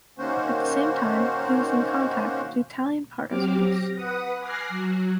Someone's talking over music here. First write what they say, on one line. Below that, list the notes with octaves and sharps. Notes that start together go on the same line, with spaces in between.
At the same time he was in contact with the Italian partisans.
D#3 A#3 C#4 F#4 C5
F#3 C4 G4 D6 F6
A#6
B4 F#5 D#6
G#5 D6 F6 F#6 A#6 C7
F#3 F#4